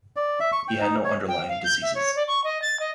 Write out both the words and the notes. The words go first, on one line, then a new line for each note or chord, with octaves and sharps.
He had no underlying diseases.
D5
E5
C#6
G5
D#4
C#5
G5
F5
G6
E5
C#5
D5
C#6
D#5
A6
D#5